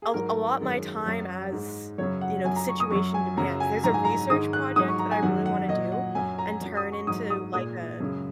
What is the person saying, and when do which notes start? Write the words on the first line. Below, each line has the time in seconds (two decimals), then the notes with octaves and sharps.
al allot my time as, you know, the situation demands. There's a research project that I really wanna do and turn into, like, a
0.02 G#4
0.14 G#2 F#3 A#4
0.60 F#2 D#3 G#3
1.06 F#2 F#3
1.52 G#2 G#3
1.98 F#2 C#3 F#3 C#5
2.21 F#5
2.44 F#2 F#3 G#5
2.56 A#5
2.69 C#6
2.80 D#6
2.90 F#2 F#3 C#6
3.14 G#5
3.37 F#2 C#3 F#3 A#5
3.60 G#5
3.84 G#2 F#3 A#5
3.94 G#5
4.05 A#5
4.30 G#2 D#3 G#3 D#6
4.53 F#6
4.76 G#2 F#3 D#6
4.88 C#6
4.99 A#5
5.11 G#5
5.22 F#2 D#3 F#3 F#5
5.46 F#5
5.68 A#2 F#3 D#5
5.92 F#5
6.15 F#2 F#3 G#5
6.38 A#5
6.61 F#2 F#3
6.77 D#6
6.92 C#6
7.07 G#2 F#3 D#6
7.30 D#6
7.53 A#2 G#3 D#6
8.00 F#2 C#3 G#3